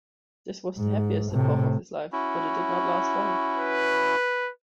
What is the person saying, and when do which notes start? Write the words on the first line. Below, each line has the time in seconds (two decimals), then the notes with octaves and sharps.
This was the happiest epoch of his life, but it did not last long.
0.78 G#2
1.32 A2 C3
2.12 C#4 E4 F#4
3.57 B4